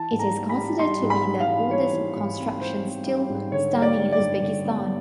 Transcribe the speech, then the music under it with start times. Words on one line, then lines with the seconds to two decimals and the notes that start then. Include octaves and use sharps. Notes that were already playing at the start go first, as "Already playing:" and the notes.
It is considered to be the oldest construction still standing in Uzbekistan.
Already playing: E3 A5
0.12 G#2
0.19 A#5
0.35 G3
0.49 B5
0.57 G3
0.79 G3 C6
1.02 G#2
1.10 B5
1.25 G3
1.40 F5
1.47 E3
1.70 E3 C#5
1.93 E3
2.16 G#2
2.39 C4
2.61 E3 C5
2.84 C4
3.06 G3
3.29 G#2
3.52 D3 C#5
3.75 G3
3.82 D5
3.97 G3
4.12 D5
4.19 G2
4.42 D3
4.65 B3